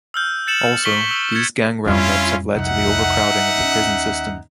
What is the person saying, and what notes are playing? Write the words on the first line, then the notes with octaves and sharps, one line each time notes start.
Also, these gang round-ups have led to the overcrowding of the prison system.
E6 F6 G6
G6 A6 C#7 E7 F#7
C#6 B6 F#7 G7
E6
G#6 A6 C#7 E7
F2 G3 C#4 E4 F4
C2 F2 D#4 E5 F#5
D#2 C#4